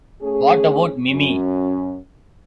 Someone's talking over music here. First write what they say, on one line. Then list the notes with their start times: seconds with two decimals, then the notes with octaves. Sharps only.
What About Mimi?
0.21 A3 C#4 G#4
1.10 F#2 C#4